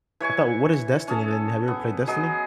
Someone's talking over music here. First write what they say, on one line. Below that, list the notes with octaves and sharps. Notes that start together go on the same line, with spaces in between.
I thought what is Destiny then? Have you ever played Destiny?
E3 C#5 G#5 C#6
C#4 G#4 A4
B3
F#3 G#4 D#5